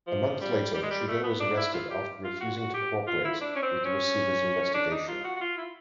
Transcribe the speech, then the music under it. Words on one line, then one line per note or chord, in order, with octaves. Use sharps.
A month later Trudeau was arrested after refusing to cooperate with the receiver's investigation.
F3
G3
G3
G#3
G3
A3
B3
D4
E4
F4
G4
F4
F#4
F#4
G4
F4
E4
D4
C#4
C4
C#4
D4
D#4
F4
F#4
F#4
F4
E4